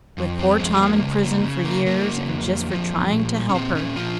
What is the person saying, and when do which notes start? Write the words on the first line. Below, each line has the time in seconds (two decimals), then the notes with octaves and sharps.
"With poor Tom in prison for years--and just for trying to help her."
0.18 F2
0.39 C4
0.60 F2 G#3
0.72 G#3
0.81 A#3
1.02 C#3 G#3
1.23 A#3
1.44 C#3
1.65 A#3
1.86 F#3 A#3
2.29 F2
2.70 F3
3.12 A#2
3.49 C#4
3.54 A#2 C4
3.75 C#4
3.96 F3 F4